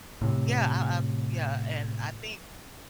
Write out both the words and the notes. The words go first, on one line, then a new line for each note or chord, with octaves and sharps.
yeah, I I yeah, and I think
A2 C3